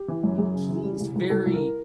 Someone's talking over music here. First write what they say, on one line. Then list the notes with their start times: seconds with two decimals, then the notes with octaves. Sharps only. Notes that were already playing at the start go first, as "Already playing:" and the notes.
he's very
Already playing: G4
0.08 E3
0.23 F#2
0.38 F#2 G#4
0.54 C#3
0.69 E3
0.84 G3
1.00 C2
1.15 C2
1.30 C2 A4
1.46 C2
1.54 A#4